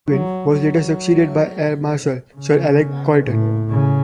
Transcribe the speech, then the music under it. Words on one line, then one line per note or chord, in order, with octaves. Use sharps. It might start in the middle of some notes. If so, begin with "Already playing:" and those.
Baldwin was later succeeded by Air Marshal Sir Alec Coryton.
F#3
F#3
C#3
A2
C#3